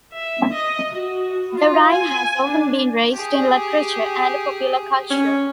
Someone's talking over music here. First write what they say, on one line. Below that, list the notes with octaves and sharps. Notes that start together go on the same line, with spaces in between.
The rhyme has often been raised in literature and popular culture.
E5
D#5
F#4
F4
G#5
D4
G4 G#4
C#4